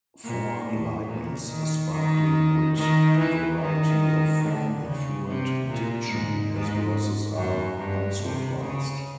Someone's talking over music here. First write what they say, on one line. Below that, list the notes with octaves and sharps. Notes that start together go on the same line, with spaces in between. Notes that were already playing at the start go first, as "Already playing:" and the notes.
For lightness, sparkling wit, variety of form and fluent diction, his verses are unsurpassed.
A#2
A2
A#2
D#3
D#3
D#3
E3
D#3
D3
C#3
C3
A#2
G#2
G#2
F#2
G2
C3
C#3